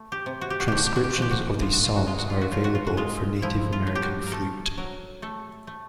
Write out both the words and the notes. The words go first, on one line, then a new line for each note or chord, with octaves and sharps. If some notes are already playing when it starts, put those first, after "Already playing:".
Transcriptions of these songs are available for Native American flute.
Already playing: A3
G4
C3
F#4
G4
F#4
D3 G4
F#4
G4
F#4
G4
F3 F#4
G4
F#4
G#3 F4
F#4
F4
F#4
G#3 F4
F#4
F4
F#4
A2 F4
F#4
F4
F#4
G#3 F4
F3 E4
F4
A2
G4
F#4
A#4
A3 A4
F#3 A#4
A3 A4
A3